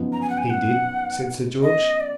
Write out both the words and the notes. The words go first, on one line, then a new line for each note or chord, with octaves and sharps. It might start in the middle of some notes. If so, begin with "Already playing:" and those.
"He did," said Sir George.
Already playing: F#2 F3 B3 D#4
A#5
G#5
F#5
G#5
F#5
D#5
D5